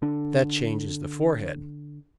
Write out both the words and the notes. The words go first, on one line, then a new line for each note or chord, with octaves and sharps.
That changes the forehead.
D3 D4